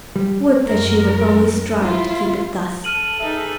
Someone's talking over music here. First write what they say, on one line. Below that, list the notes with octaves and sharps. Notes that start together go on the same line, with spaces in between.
Would that she would always strive to keep it thus.
G3
F#2 A#4
E4 F4
A4 A5 F6 D#7 F#7
D#4 G#4 A4 B4 E5